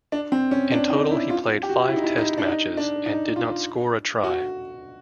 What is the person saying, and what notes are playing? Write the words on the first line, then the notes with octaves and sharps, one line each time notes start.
In total he played five test matches and did not score a try.
D4
C4
C#4
D4
D#4
E4
F4
G4
F#4
E4
D#4
E4
D#4
D4
D#4
D4
D#4
F4
F#4